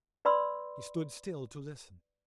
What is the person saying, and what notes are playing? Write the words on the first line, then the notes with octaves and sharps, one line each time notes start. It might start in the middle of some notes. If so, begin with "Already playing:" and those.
He stood still to listen.
B4 D5 B5 C6 E6